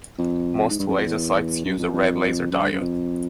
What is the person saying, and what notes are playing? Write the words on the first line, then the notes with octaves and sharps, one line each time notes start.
Most laser sights use a red laser diode.
F2
G#2
G2
F#2
F2
E2
F#2
F2
F2
F#2
G2
F#2
F2